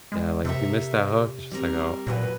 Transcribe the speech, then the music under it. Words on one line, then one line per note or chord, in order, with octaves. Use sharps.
Yeah, like, if you miss that hook, it's just like, "Oh,
G#3
C3 A4 A#4 E5
G3 C4 A#4
A#2 E3 F#3 B4